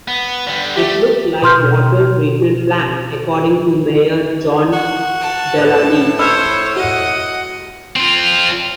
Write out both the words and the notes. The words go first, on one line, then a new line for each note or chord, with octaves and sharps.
It looked like a water treatment plant, according to Mayor John Delaney.
B3
D3 G3
A3 G4
B2 C6 F6 G6
F#4
A5
A2 B4 F#6
C5 C#5 B5 E6 F6
F#4 D#5 F#5
C4 F4